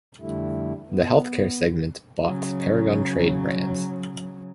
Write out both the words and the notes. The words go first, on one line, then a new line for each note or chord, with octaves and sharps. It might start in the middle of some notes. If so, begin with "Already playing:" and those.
The Healthcare segment bought Paragon Trade Brands.
F2 D3 G3 A3 E4
B3
C#3 F#3